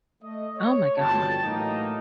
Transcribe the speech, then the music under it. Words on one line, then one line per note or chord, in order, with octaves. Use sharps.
Oh my god.
A3 D#5
C#5
G1 F2 B2 G5 A5
A2 E3 F#3 A#3 D#4